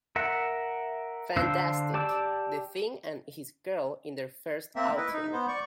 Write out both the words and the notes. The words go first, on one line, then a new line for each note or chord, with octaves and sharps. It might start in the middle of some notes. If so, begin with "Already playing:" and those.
Fantastic, the Thing and his girl in their first outing.
A#4 E5 F#5
D3 D4 C5 F5 E6
G4 D5 A5 D6 E6
A#3 C4 E5
E4 B4 D#5
D#4
B3 C5
D5 C#6